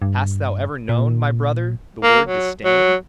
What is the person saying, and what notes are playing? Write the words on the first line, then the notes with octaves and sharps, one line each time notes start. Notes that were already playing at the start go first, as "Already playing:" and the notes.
Hast thou ever known, my brother, the word "disdain"?
G2
A#2
A#3
F#3
F#3